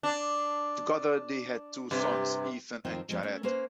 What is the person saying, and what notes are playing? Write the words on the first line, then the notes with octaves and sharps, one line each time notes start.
Together they had two sons, Ethan and Jared.
D4
G2 C3
F2 D#3 C4 F4
F2 F3 G#3
A3 C#4
A#3 C#4 B4 C5